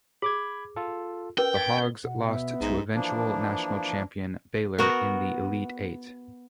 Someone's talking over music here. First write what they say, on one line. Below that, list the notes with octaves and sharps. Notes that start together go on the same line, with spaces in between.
The Hogs lost to eventual national champion Baylor in the Elite Eight.
G#4 B5 D6 G#6
F4 A4
C#4 A#4 B4 G5
G#6 A6 B6
B2 F#5
B3 E5
B1 G#2
E3 F3 A#3 D4
B3 F#4 A#4